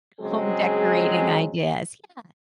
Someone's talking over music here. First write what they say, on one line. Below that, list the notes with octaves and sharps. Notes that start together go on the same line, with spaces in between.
home decorating ideas Yeah,
C#3 F#3 G#3 C4 G#4